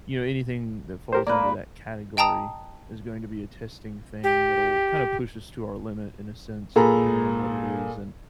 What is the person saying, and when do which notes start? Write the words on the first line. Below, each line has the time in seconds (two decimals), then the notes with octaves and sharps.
you know, anything that falls under that category is going to be a testing thing that'll kinda push us to our limit in a sense, depending on what it is, and
1.13 G4 A#4 C5
1.27 A#3 B4 D5
2.17 D#5 G5 A5 A#5 D#6
4.24 G4
6.76 A#2 G#4 A4 A#5 B5